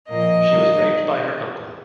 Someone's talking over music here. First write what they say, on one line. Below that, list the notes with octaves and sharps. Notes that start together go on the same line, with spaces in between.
She was raped by her uncle.
A#2 F3 A#3 D#5
D#3 G3 A#3